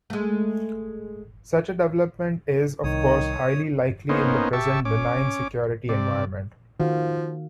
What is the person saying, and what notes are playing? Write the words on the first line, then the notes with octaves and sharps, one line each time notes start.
Such a development is, of course, highly unlikely in the present benign security environment.
G#3 A3
C2 D#3 C#5 D#6
A#3 B3 C#4 D#4 C5
G4 E5 A5 C#6
C#4 D6
C3 D5
D#3 F3 F#4 F5